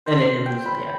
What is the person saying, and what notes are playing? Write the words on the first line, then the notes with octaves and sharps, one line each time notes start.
and then it moves on, yeah.
C5
G5
B5